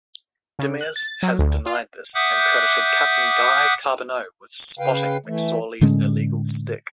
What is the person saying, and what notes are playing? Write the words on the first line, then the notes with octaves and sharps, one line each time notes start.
Demers has denied this and credited captain Guy Carbonneau with spotting McSorley's illegal stick.
C#3
F#6
A6
F#3
D2
F4
E5 F#5 D6 D#6 F#6 G6
C#3 B4 F5 G5
E3 A3
A2 D3 G#3 C#4